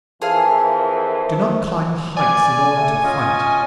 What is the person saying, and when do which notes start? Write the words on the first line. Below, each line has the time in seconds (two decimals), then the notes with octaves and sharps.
Do not climb heights in order to fight.
0.22 F2 E3 G#4 A#4 C5 E5 F5 A5
2.17 D5 G#5
2.76 A3
3.03 C#4 F4 D#5